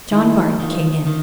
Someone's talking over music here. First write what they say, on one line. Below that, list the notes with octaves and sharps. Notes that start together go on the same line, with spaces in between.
John Barton came in.
D#3 E4
D#3 F4
D#3